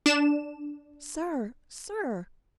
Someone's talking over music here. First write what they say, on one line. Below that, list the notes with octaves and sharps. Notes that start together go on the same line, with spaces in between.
"Sir! sir!"
D4 E7